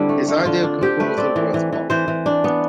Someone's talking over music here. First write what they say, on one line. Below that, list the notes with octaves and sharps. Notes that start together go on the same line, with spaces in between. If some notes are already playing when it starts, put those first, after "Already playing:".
His ideal composer was Bach.
Already playing: D3 G3 C4 D4 E4
A3
A3
D3 F4
D4
C4 G4
A3 B4
C4 D5
E3
E3
E3
E3 C5
E3
D4
B3